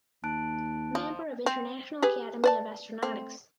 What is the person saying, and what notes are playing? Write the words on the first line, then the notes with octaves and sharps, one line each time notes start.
Member of International Academy of Astronautics.
D#2 A5 F#6 D7
F3
C4
G4 G#4 B4
B4 D5 A5
A3 C4